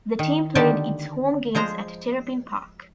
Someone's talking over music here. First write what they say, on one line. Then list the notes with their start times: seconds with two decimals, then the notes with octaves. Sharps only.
The team played its home games at Terrapin Park.
0.19 D#3
0.55 D3 D#3 G4 A5
1.55 F3 G#3 C5 A#5